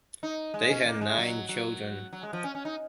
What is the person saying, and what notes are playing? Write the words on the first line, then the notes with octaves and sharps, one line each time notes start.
They had nine children.
D#4
G#3
C#4
A#3
G#3
F#3
F#3
F#3
G#3
F3
C#4
C#4
D#4